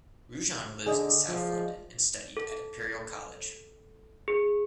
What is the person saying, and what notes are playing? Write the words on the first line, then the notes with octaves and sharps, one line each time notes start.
Rajan lives in South London and studied at Imperial College.
D3 G#4 D5 D#5
F3
A4
G#4